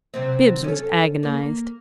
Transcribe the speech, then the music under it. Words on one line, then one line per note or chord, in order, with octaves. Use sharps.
Bibbs was agonized.
C3 F#3 C4
C#4 A4
A#3